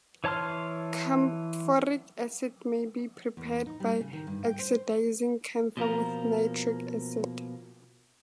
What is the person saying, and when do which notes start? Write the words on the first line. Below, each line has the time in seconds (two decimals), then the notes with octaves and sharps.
Camphoric acid may be prepared by oxidising camphor with nitric acid.
0.24 E3 C#5 A5 C6 F6
3.37 E2
3.67 D#4
3.80 G3
4.00 C#3
4.13 D#3
4.27 G2
4.46 G5
4.59 C5
5.77 B2 F3 A#3 A#4